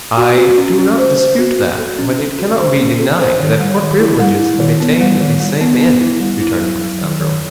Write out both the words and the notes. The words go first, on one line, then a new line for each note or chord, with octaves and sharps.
"I do not dispute that, but it cannot be denied that court privileges have attained the same end," returned Prince Andrew.
F#4
F#4
C#4
C#4
C5
C5
F#4
F#4
A4
C#4
A4
F#4
C5
C#4
A4
C5
D#3
G3
D#3
E4
G3
E4
D#3
B3
G3
D#3
G3
B3
B3
E4
G3
E4
F#3
F#3
D#3
D#3